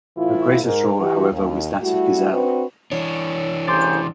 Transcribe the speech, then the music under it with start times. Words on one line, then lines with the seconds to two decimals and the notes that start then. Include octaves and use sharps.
Her greatest role however was that of "Giselle".
0.17 A2 E3 E4 F4
0.63 G#2 A#4
1.00 E3 F#4 G4
1.30 D#2
1.82 G3 A3 E4 F#4
2.32 C4 D4 F#4 B4
2.91 E3 D4 C#5
3.68 A1 C#3 C5 C6 D6 A6